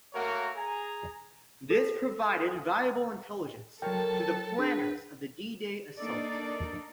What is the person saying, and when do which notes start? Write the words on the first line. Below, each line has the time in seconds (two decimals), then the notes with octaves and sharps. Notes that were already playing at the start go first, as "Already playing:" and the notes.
This provided valuable intelligence to the planners of the D-Day assault.
0.14 A3 A#3 F#4 A#4 C#5 F#5
0.56 G#4 G#5 A#5
1.70 A4
3.82 F#3 A4 A#4 C5 C#5 G5 A5
4.59 D4 G#4 B4
5.97 A#3 D4 D#4 A4 D5